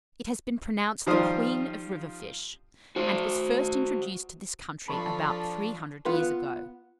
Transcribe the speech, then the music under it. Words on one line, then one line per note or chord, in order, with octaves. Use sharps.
It has been pronounced the queen of river-fish, and was first introduced to this country about three hundred years ago.
D#3 F3 G3 F4 C5 D#6
F#4 C5
F3 D4 A4 B5 C#6
B3 F4 B4